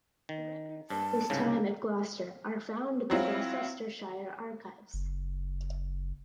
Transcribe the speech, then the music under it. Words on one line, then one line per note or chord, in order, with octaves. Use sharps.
Records of his time at Gloster are found at the Gloucestershire Archives.
D#3
G2 A5
C2 G#2 C#3
F#3 C4 E4 F4
F#1